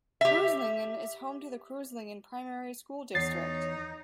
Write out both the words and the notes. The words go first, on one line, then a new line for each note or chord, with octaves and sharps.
Kreuzlingen is home to the Kreuzlingen primary school district.
G4 E5
E2 D#4 C#5 A6 C7